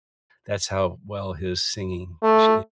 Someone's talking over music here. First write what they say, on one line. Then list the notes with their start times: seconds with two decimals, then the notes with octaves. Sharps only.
that's how well his singing, sh
2.23 A3